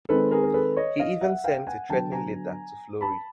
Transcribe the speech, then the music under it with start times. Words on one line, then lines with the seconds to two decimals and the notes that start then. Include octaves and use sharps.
He even sends a threatening letter to Flory.
0.09 D#3 G#3 C4 A4 B4
0.31 G#4 A#4
0.43 A#4
0.54 A4 B4
0.77 C#5 D#5
0.99 D#5 F5
1.21 E5 F#5
1.44 F5 G5
1.67 F#5 G#5
1.89 D3 F#3 B3 G5 A5
2.12 G#5 A#5
3.01 A5 B5